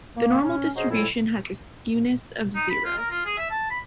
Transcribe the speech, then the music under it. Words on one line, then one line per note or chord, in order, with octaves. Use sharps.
The normal distribution has a skewness of zero.
A#3
C#4
F#3 C#4 G#4 C5 D#5
F2 A#2 F#3 E4 A4
D#4
B5
F4
A#4
F4
G#4
E5
A5
B5